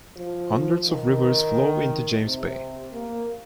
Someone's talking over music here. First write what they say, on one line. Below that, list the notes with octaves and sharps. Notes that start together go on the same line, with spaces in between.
Hundreds of rivers flow into James Bay.
F3
D#3
C3
A#3